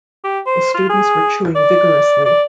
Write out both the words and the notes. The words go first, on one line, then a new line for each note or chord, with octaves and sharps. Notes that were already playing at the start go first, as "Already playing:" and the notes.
The students were chewing vigorously.
G4
C5
F4
G#4
D5
D5